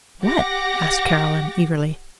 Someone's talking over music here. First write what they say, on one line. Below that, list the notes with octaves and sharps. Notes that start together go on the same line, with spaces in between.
"What?" asked Caroline, eagerly.
G4 F#5 D6 A#6